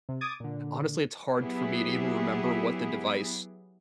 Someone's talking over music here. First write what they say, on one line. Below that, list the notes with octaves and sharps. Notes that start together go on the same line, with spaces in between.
honestly, it's hard for me to even remember what the device
C3
D6 D#6 G#6 A6
A#2 D3
F#3 B3 E4 G4 G#4